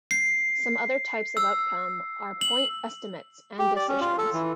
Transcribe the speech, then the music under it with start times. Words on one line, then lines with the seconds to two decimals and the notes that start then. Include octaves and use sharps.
Some other types of outcome are point estimates and decisions.
0.11 C7
1.37 E6
2.41 F#7
3.59 G4
3.76 D5
3.89 C#4
4.01 F4
4.18 A4
4.33 E3